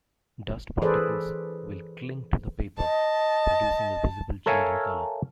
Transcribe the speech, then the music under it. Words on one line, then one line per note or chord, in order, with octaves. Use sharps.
Dust particles will cling to the paper, producing a visible change in color.
E3 G#4 A4 B4 C5 D5
D#5 A5
A4 A#4 C#5 E5 F5 G#5